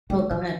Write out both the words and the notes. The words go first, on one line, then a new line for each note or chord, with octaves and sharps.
Oh, go ahead.
G#3
F#3